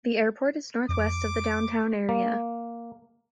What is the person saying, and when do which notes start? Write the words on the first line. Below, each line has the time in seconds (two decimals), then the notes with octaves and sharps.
The airport is northwest of the downtown area.
0.89 F2 D6
2.09 A#3